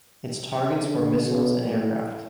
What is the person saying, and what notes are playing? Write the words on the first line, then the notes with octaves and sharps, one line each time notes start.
Its targets were missiles and aircraft.
D3
B2
A2